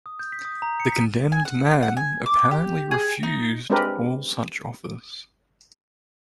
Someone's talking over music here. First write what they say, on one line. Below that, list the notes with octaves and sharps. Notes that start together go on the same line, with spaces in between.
The condemned man apparently refused all such offers.
D#6
G6
B6
D#6
A#5
C#7
B6
G#5
F#5
F#5
G#5
D6
G4
G#4
D#4
G#3 C4 D4 G4 A#4 B4